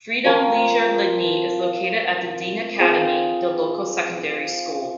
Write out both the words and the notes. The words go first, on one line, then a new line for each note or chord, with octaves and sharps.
Freedom Leisure Lydney is located at the Dean Academy, the local secondary school.
F3 C4 F4 A#4
C4 F4 G#4 C5